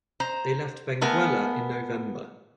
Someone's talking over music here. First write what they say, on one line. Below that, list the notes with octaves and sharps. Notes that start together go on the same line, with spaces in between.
They left Benguela in November.
C5 A#5
A3 B3 A#4 G#5